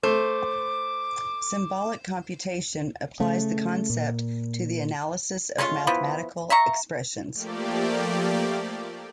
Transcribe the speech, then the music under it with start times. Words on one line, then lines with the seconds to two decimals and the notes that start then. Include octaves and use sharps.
Symbolic computation applies the concept to the analysis of mathematical expressions.
0.03 A3 C5 D6
3.20 C#3 A3
3.90 A#2
5.58 G#3 A3 C#4 F4
5.87 E3 F3 B3
6.50 E5 F5 A#5 C#6
7.33 F3 A3 A#3 G4 D5